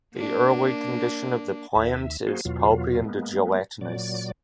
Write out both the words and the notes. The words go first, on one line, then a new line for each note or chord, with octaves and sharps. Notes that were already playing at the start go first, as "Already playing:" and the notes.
The early condition of the plant is pulpy and gelatinous.
A#3 D4
D#2 E5
A#3 F#4 G#4 C5
E2 B2 F#3 F4
G#3 A#3 B3
A#2 F#3 D5